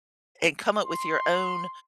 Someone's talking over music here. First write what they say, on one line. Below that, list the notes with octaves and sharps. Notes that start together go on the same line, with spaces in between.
and come up with your own
C6